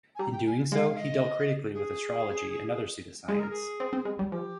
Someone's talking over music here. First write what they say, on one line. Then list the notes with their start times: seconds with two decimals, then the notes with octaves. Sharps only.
In doing so he dealt critically with astrology and other pseudoscience.
0.15 G#5
0.19 G3 A#5
0.32 G5
0.46 G#5
0.72 G#3 F5
0.90 F5
0.97 D#5
1.74 G#4
3.28 G#3 G#4
3.39 A#4
3.50 G#4
3.80 C4
3.93 C4
4.05 G#3
4.19 G3
4.31 F3 G4